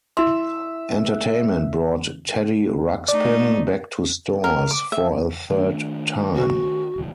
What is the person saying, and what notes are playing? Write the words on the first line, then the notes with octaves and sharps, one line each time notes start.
Entertainment brought Teddy Ruxpin back to stores for a third time.
E4 E5 C6
A3 D#4 D5
A#4
D6
E5
D#3 A3 D4
F#4
D#1 C#2 E3